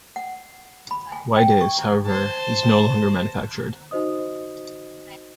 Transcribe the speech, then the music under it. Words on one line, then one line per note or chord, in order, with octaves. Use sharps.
Wydase, however, is no longer manufactured.
F#5
B5
G#5
G5
C#6
C5 A5
D#4 F#4 C5 D#5 D#6